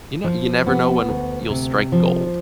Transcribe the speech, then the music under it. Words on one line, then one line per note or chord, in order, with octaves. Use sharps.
you kno you never know when r you'll strike gold.
F3
B3
D2
C3
F3